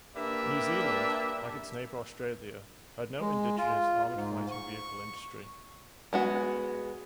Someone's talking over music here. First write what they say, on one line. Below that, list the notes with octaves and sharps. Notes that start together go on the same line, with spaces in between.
New Zealand, like its neighbour Australia, had no indigenous armoured fighting vehicle industry.
A#3 D4 G4 B4 D5 E5
G#3
F4
G#2
C#6
G#3 B3 F#4